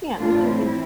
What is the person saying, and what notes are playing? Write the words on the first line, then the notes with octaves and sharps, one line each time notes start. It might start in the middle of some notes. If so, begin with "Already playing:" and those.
Yeah, and I think in
A2 E3 D4 F4
C4 E4